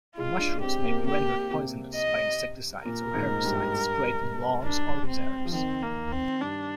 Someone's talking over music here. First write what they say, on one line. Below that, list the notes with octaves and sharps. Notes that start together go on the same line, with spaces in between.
Mushrooms may be rendered poisonous by insecticides or herbicides sprayed on lawns or reserves.
G#3 F4
D4
C4 G4
A#3
A#3 G4
C3
D#5
A#2 A#4
G#2
G2
D4
C4
F3
D#3 C4
A#3
C4
G2 D4